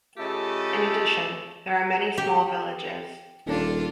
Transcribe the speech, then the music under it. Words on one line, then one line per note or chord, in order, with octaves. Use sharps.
In addition, there are many small villages.
C#3 A3 F4 G4 A4 D#5
G4
D#1 D4 F4 A4